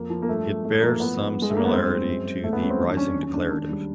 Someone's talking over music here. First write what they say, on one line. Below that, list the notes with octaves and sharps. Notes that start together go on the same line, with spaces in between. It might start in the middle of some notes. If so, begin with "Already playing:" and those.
It bears some similarity to the rising declarative.
Already playing: F2 A#3
F3
A#3
G2 A3
G#3
G2 A3
F3 A#3
A2 B3
A2
G2
G#3
A3
G#3 A#3
B3
G2 C4
G#3
F#2
G#3
A2 A3
B3
G3 C#4
C4
E2
D4
F#3 C#4
D#2
C#4
G#3 D4
D#2 D4
G3